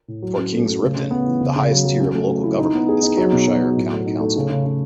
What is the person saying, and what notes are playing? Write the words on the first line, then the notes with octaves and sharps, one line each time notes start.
For Kings Ripton the highest tier of local government is Cambridgeshire County Council.
A2
F#3
C#4
A3
A3
C#3
C#3
B3
E3
C#3
C#3
F#3
F#3
C#4
A3
A3
E4
D#4
B3
G#4
D#4
F#3
B2
F#3
F#3
A2
A3
D#4
A3
C#3
C#3
C#3